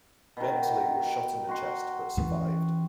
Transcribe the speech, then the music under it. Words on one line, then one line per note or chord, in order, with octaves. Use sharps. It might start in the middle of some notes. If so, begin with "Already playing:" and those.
Bentley was shot in the chest, but survived.
B2 D#3
F#4 C6
E3 C#4